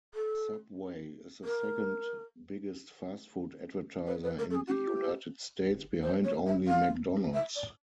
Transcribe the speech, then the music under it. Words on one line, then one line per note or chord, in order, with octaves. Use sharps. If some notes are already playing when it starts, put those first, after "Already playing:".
Subway is the second-biggest fast food advertiser in the United States, behind only McDonald's.
A4
A#4
B4
B4
A#4
A4
G#4
F#4
G4
C5
C#5
E5
F5
E5
D5